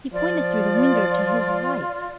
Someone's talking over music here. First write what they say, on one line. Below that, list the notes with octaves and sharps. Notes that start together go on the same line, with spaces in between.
He pointed through the window to his wife.
F3 F4 D5